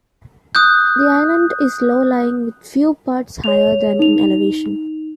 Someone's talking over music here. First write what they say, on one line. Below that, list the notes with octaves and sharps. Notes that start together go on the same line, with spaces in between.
The island is low-lying with few parts higher than in elevation.
D#6 F#6 G6
C#5 F7
D#4 F7